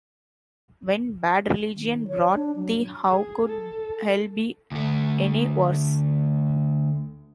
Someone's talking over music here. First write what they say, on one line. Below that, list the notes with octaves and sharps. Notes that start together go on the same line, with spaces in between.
When Bad Religion brought the How Could Hell Be Any Worse?
D#3
C#5
D4
F#3
G#4
A4
D2 A3